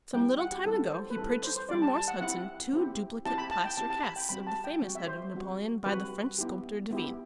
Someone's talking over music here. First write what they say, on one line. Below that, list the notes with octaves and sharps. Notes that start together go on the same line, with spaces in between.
Some little time ago he purchased from Morse Hudson two duplicate plaster casts of the famous head of Napoleon by the French sculptor, Devine.
G3 C4 E4 G5
F#5
G4
G3 C4 E4 A4
C5
B4
G3 C4 E4 A4
B4
C5
C5
G3 C4 E4 D5
A5
A5
F#5
C4 E4 G4 F#5
C4 E4 G4
C4 E4 G4 A5
B5
A5
G5
C4 E4 G4 A5
A5
B5
G5
G3 C4 F#4 B5
A5
G5
G3 C4 F#4
E5
C5
G3 C4 F#4
G3 C4 F#4 B4
B3 E4 G4
B3 E4 G4